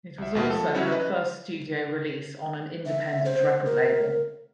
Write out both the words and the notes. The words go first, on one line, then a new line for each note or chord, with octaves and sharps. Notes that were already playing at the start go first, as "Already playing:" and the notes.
It was also her first studio release on an independent record label.
C2 E5
D#2 B2
F3 A4
F#3 G3 C#4 E4 C#5 E5
B4 D#5
E5
C5
A#4